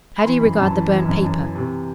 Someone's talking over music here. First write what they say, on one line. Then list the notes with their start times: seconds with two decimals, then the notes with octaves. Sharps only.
How do you regard the burnt paper?
0.16 B5
0.23 E3 C6
0.40 F#2 B5
0.57 F#2 A5
0.72 E3
0.89 E3
1.05 F#2
1.21 F#2
1.39 E3
1.55 C3